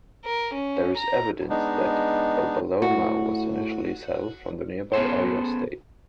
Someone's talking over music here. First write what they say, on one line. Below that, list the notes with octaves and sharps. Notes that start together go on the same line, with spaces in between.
There is evidence that Babaloma was initially settled from the nearby Oyo State.
A#4
C#4
A#5
G#3 B3 D4 D#4
A2 F#4
B3 C#4 G#4 A4 C5